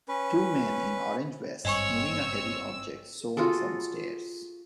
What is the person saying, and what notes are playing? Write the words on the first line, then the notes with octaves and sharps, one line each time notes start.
Two men in orange vests moving a heavy object sown some stairs.
C#4 B4
G#1 G2 C4 C#5 D#5 G#5 C#6 E6
F4 F#4 G#4 A4